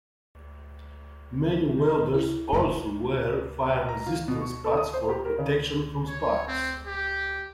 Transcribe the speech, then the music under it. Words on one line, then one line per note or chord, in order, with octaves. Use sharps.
Many welders also wear fire-resistant spats for protection from sparks.
D#3 D#5
E4
F#1
A#5
F4
B2
C#6
A4
D#6
C5
G4
A#4
C#3
C#5
C4
G4